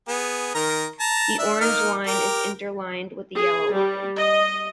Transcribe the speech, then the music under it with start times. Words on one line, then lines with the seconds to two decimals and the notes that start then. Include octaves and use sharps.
The Orange Line is interlined with the Yellow Line.
0.08 B3 G#4
0.55 D#3 A#4 A#5
1.00 A5 A#5
1.39 D4 E5
1.61 A#3 D#4 F6
2.07 G4 A#4
3.36 G#4
3.74 G3
4.18 D#5